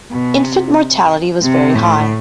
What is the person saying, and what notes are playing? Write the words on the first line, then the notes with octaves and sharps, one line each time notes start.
Infant mortality was very high.
B2
C3
C3
A2